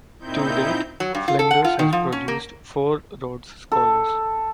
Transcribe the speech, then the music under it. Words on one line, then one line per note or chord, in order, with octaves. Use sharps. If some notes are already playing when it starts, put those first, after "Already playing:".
To date, Flinders has produced four Rhodes scholars.
A#2 C4 D#4 E4 G6
F#3
G2
F4
A4
F#5
F4
D#3
F3
C#4
A#3
A4